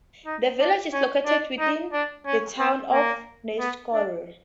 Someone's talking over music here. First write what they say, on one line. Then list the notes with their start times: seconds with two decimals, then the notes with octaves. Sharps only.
The village is located within the Town of Neshkoro.
0.26 D#4
0.60 D4
0.93 C#4
1.26 D4
1.60 D#4
1.93 D4
2.26 C#4
2.59 B3
2.92 A#3
3.59 B3
3.93 D4